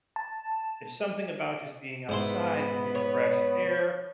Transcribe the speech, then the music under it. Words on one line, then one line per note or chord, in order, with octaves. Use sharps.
there's something about just being outside and getting fresh air
A5
G#2 B3 E4 C6
C#5